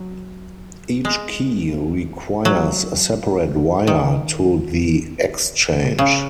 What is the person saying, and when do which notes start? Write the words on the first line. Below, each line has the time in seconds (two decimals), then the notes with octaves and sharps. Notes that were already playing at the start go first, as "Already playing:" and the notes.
Each key requires a separate wire to the exchange.
Already playing: F#3
1.05 G#3
2.45 F#3
3.87 D#3
5.99 C#3